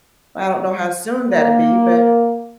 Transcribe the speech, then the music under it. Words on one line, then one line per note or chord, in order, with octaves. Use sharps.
I don't know how soon that'll be, but
A#3